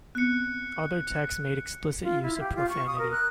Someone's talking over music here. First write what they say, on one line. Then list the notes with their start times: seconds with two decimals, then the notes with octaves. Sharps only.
Other texts made explicit use of profanity.
0.15 B3 C4 F#6 C#7
2.02 F4
2.23 E4
2.40 G4
2.56 F4
2.69 C#6
2.87 D#6
2.98 A#4
3.11 F#6